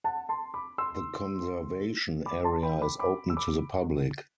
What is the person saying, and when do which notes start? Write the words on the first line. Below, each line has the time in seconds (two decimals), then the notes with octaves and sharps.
The conservation area is open to the public.
0.04 F#5 A5
0.29 A5 C6
0.54 B5 D6
0.78 C6 E6
2.26 B5 D6
2.44 A5 C6
2.63 G5 B5
2.82 B5 D6
2.99 B5 D6
3.30 E6
3.37 B5 D6